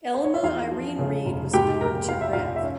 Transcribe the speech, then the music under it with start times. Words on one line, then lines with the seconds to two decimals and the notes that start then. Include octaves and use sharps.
Elma Irene Reed was born to Rev.
0.14 C5
0.24 C#5
0.34 E5
0.43 E2 F4 F5
0.71 F3
0.99 C#3
1.26 F1
1.53 G#2 G4 G5
1.81 A#1 A#4 A#5
2.08 F3 F5
2.21 E5
2.33 A#1 F4 F5
2.56 E5
2.63 C#4 C#5